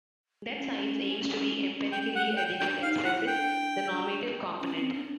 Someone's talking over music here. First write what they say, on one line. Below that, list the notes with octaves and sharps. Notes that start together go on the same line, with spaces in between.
That science aims to be empirically adequate expresses the normative component.
C#4
G5
F#5
G5
D4 G5
D#4 F5
E4 F#5
D4 G5
C#4
C4
D4